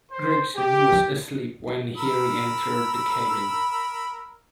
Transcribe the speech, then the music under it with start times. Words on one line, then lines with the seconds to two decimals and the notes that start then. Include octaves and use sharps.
Gregson was asleep when he re-entered the cabin.
0.11 C5
0.57 G4
1.97 A#4 B5 E6